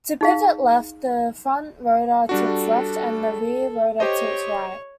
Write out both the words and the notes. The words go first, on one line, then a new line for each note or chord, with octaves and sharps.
To pivot left, the front rotor tilts left and the rear rotor tilts right.
D#4 G#4 F5
G3 D4 F#4 A4
G4 C5 C#5 D#5